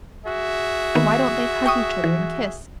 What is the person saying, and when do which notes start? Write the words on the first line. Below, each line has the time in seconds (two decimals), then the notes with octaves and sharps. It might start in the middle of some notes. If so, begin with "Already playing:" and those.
Why don't they hug each other and kiss?
0.26 F#4 G#4 E5
0.95 D#3 A#3 B3
1.66 G5 C#6 D#6
2.04 E3